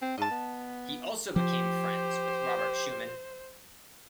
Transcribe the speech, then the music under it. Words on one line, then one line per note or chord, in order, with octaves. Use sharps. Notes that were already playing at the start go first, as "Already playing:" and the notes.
He also became friends with Robert Schumann.
C4
G#2 D#5 A5
B3
F3 G4 C5